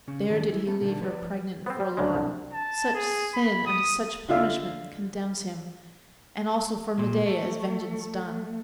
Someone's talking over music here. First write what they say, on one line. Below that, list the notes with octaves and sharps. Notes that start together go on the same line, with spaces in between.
There did he leave her pregnant and forlorn; Such sin unto such punishment condemns him, And also for Medea is vengeance done.
C#3 C#4
D#3 F#3 A3 C#4 D4
E4 G#4
A3 B3 C#4 A4
B2 D3 D#3 A3 D4
F3 B4 C#5 D5
B3 C4 C5
G3
D2 C#3 G#3 D4
C2
A5
G#4
B5
D#6
D3 F4 E5 F5
A#2
A3